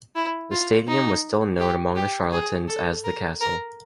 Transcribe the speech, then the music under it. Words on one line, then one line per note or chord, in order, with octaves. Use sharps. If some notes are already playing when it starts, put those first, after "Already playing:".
The stadium was still known among Charlotteans as The Castle.
E4
F4
D#4
G4
G4
G#4
A4
A#4
A#4